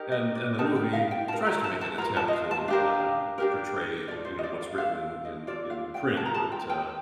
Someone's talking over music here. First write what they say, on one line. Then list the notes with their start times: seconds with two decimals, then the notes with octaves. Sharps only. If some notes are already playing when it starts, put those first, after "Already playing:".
and and the movie tries to make an attempt to, um, portray, you know, what's written in in in the print, but, uh,
Already playing: D#4 G4 A#4
0.12 D#5
0.35 D5
0.58 D#4 G4 A#4 A5
0.76 G5
0.93 F5
1.11 G5
1.28 F4 A#4 A5
1.46 A#5
1.64 A5
1.81 A5
1.98 F4 A#4 A#5
2.16 A5
2.28 D#5
2.33 F5
2.51 A5
2.68 D4 G4 A#4 F5
3.38 D4 G4 A#4
4.08 F4 A4 D5
4.25 C5
4.39 D#5
4.43 D5
4.61 F5
4.77 F4 A4 F5
5.25 D#5
5.47 F4 A4 D5
5.70 F5
5.94 G5
6.17 F4 A4 A5
6.26 A#5
6.35 A5
6.52 G5
6.70 G5